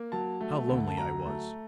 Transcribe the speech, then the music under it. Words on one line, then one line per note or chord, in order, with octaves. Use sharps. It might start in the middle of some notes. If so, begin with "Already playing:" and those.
How lonely I was!
Already playing: A#3
F#3 A5
A3
D2
A5
F#3 A#5
A3